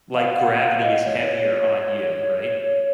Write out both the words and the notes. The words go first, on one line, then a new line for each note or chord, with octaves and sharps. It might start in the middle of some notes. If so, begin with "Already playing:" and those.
Like gravity is heavier on you. Right?
F5
F#5
F5
D#5
C#5